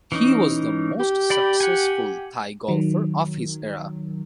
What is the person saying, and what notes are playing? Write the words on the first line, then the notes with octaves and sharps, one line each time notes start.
He was the most successful Thai golfer of his era.
E3 C#4 D#4
G4
D5 G5 B5
F#5 G#5
D#3 F#3